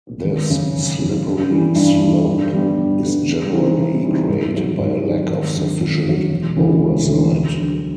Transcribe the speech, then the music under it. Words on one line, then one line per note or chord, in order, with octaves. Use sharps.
This slippery slope is generally created by a lack of sufficient oversight.
G#1
F#2 C#3
G#1
F#2 C#3
G2
E3 G3
G2
E3 G3
G2
D3 G3 B3
G2
D3 G3 B3
C#3
E3 G3 C4 D#4
C#3
E3 G3 C4 D#4
G#2
D#3 F#3
G#2
D#3 F#3
G#1
F#2 D3 F#3
G#1
F#2 D3 F#3
E1
D2 C#3 E3
E1
D2 C#3 E3
D2
D3 F#3